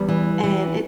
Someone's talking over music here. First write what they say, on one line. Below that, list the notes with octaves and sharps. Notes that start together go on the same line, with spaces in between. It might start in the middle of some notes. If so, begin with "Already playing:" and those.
and it
Already playing: E2 G3
E3
E3